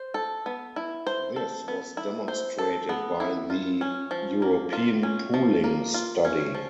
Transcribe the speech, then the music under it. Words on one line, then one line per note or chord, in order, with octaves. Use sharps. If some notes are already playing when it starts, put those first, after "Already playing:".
This was demonstrated by the European pooling study.
Already playing: C5
A4
B3
E4
C5
A4
B3
E4
C5
A4
B3
E4
F4
C#4
F3
A#3
F4
C#4
F3
A#3
F4
C#4
F3